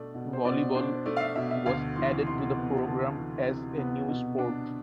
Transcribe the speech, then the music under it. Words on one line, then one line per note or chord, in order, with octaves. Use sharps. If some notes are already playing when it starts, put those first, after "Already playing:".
Volleyball was added to the program as a new sport.
Already playing: B2 A3 D4 D5
B2
C5
B2 D5
D4 C5
A3 D5
F5
E5
B2 E5
E5
D2 F5
E3 C6
C3 C6
B3
D2 A5
E3
C3
B3
B2
D4